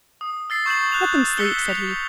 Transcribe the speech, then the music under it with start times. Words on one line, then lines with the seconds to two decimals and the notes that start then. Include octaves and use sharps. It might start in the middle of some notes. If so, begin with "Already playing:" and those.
"Let them sleep," said he.
0.21 D#6
0.50 E6 A6 C7
0.66 C#6 G6 E7 F#7
0.91 F#6 G6 F7 F#7
1.38 E6 G6 B6 C#7 G7
1.69 F7